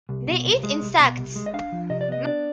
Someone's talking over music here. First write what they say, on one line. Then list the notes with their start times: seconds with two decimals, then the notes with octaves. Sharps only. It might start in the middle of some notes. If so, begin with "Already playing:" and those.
They eat insects.
0.09 C2
0.28 B2
0.45 C2
0.63 G#3
0.82 C2
1.00 B2
1.17 C2
1.36 G#3
1.46 D#5
1.53 D4 F5
1.72 F3
1.90 C3 D#5
2.01 D5
2.08 B3 D#5
2.26 D4 D5